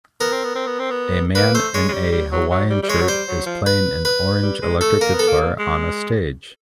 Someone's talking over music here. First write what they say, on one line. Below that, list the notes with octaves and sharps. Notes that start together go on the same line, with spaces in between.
A man in a Hawaiian shirt is playing an orange electric guitar on a stage.
B3 A#4
C4
B3
C4
B3
C4
B3
A#3 B4
A3 C5
G#3 C#5
G#3
G3
G3
F#3
F#3
G3
G3
G#3 C#5
F#3
G3 C5
F#3
F3
B4
B4
G3
G#3
A3 A4
A#3 A#4
B3 A4
A#3
G#3